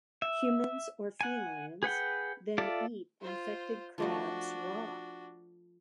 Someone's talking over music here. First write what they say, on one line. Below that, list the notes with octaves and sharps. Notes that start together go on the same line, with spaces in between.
Humans or felines then eat the infected crabs raw.
E5
F#5 G#5
G#4 B4 F#5 G5
F4 A4 D5 E5
F4 C5
F3 A3 D4 F#4 D#5